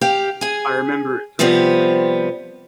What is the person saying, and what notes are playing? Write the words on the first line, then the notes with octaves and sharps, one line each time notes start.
I remember it perfectly.
G4 F5 G5
G#4 G#5
C3 F3 G3 B3 C4